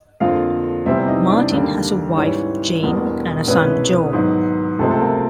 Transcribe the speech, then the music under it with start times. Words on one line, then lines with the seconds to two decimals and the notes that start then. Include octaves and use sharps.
Martin has a wife, Jayne and a son, Joe.
0.20 F2 D3 F3 A#3 F4 F5
0.86 E2 C3 E3 G3 C4 E4 E5
1.08 D#4 D#5
1.30 D4 D5
1.52 D#2 D3 G3 A#3
2.16 G#2 E3 G3 C#4 C#5
2.83 E1 E2 B2 G3
3.48 C2 B2 G#3 B3 C#4 E4 B4
4.13 G#2 D#3 F#3 B3 D#4
4.79 C#2 C3 F3 G#3 A3 C4 A4
4.91 A4
5.01 A#3 A#4